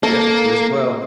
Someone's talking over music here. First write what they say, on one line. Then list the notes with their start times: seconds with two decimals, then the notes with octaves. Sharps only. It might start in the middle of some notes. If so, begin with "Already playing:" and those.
Yep, you as well.
0.03 A#3 A4